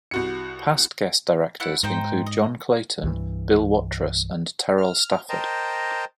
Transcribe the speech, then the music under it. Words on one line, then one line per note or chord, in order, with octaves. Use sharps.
Past guest directors include John Clayton, Bill Watrous, and Terell Stafford.
C2 F#4 C#7
A3 E4 F#5
G#2 D#4 C5 G5
D#5
C2 G2 E3
F6
A#4 C5 D#5 G5 A5 A#5